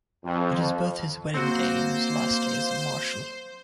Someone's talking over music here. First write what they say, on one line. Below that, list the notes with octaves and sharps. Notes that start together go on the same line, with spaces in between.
It is both his wedding day and his last day as a marshal.
F2
A#3 C4 F#4 C5